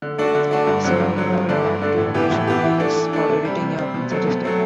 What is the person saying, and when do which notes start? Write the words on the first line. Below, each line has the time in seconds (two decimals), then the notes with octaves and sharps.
Several adaptive rationales for editing have been suggested.
0.02 D3
0.18 A3 D4 F#4
0.35 D3
0.51 A3 D4 F#4
0.67 G2
0.84 D3 F#3 C4
1.00 G2
1.16 D3 F#3 C4
1.33 G2
1.49 D3 A3 D4
1.66 G2
1.81 D3 A3 D4
1.98 A2
2.14 E3 B3 E4 G4
2.31 A2
2.47 E3 B3 E4 G4
2.64 E3
2.80 A3 D4
2.96 E3
3.13 A3 D4
3.30 C3
3.45 G3 C4
3.62 C3
3.78 G3 C4
3.94 B2
4.11 F#3 A3 C4
4.27 B2
4.44 F#3 A3 C4